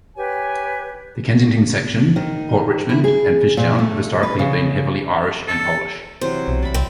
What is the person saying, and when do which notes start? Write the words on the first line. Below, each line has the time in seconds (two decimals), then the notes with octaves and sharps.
The Kensington section, Port Richmond, and Fishtown have historically been heavily Irish and Polish.
0.17 G4 B4 C#5 G#5
2.16 D#3
2.89 E4
3.04 G#4
3.57 A#2
3.79 A3
4.23 B4
4.39 C#3
5.48 A4
6.21 C3 E3 F#3 C5
6.48 B1
6.62 D5 E5 B5
6.74 C2 C4